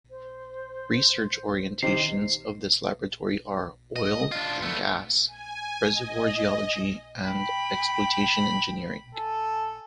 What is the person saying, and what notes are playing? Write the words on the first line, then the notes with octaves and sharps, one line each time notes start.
Research orientations of this laboratory are: oil and gas reservoir geology and exploitation engineering.
C5
C3 D#3 C7
D#5
D4 F4
A3 B3
G#5
D#5
G5 B5
A4 G#5